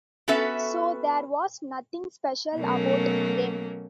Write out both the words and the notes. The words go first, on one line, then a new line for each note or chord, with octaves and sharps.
So there was nothing special about them.
B3 C#4 F#4 A4 B4 E5
B2 F#3 A3 A#3 C#4